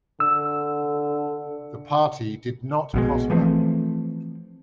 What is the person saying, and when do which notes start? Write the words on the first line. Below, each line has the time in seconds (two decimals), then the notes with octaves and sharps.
The party did not prosper.
0.20 D3 E6
2.94 A#1 B2 G#3
3.30 E3 F3 A3 C4